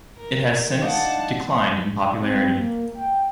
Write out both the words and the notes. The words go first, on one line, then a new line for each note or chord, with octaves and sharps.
It has since declined in popularity.
A#4
D4 D#4 F4 F#5 A5
C4
A#3
G5